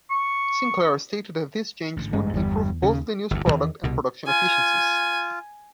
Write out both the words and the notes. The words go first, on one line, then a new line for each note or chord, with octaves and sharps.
Sinclair stated that these changes would "improve both the news product and production efficiencies".
C#6
A1 G#2 D3
G2 G#3
G1 E2 G3
D#2 C#3
G1 D2
E2 C3 D#3 E3
C2 B2
F4 G#5